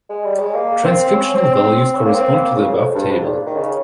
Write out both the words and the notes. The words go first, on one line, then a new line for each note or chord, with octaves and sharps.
Transcriptional values correspond to the above table.
G#3
G3
G#3
A#3
C4
C#4
C4
C4
C4
C#4
A#3
C4
A#3
C#3
F2
G2
G#2
G#2
A#2
D#3
C#3